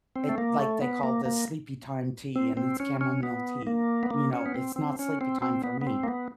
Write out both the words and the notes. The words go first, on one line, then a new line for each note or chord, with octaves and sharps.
it like, they call the Sleepytime tea and it's chamomile tea. You know, it's not sleepy time for me.
C4
A3
A#3
A3
B3
A#3
A#3
C4
C4
C#4
C#4
B3
A#3
B3
A#3
C#4
B3
C4
C4
C#4
C4
C4
B3
B3
C4
A#3
B3